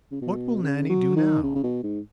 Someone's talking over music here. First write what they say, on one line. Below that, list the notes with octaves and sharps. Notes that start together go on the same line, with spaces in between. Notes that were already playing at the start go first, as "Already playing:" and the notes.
What will Nannie do now?
C#3
B2
C#3
F#3
D#3
C#3
C#3
B2
G#2